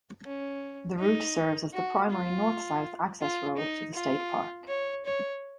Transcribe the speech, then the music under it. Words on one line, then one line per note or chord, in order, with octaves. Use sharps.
The route serves as the primary north-south access road to the state park.
C#4
D#4
F#4
F4
F4
D#4
F4
C#5
C#5